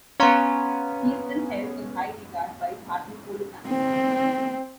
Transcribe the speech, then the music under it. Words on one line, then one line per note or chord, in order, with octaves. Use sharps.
He is still held in high regard by Hartlepool fans.
B3 C#4 F5 A#5 C6
C4